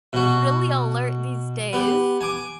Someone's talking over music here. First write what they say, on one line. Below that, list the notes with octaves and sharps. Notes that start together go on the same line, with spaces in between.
really alert these days,
B2 F#4
B3 G4
G#5 D6